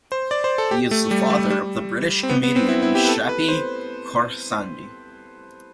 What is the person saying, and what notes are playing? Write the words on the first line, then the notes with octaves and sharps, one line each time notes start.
He is the father of the British comedian Shappi Khorsandi.
C5
D5
C5
A4
G4
A3
G3
G3
G3
C4
B3
B3
C4
E4
E4
G4
B4
A4
B4
C5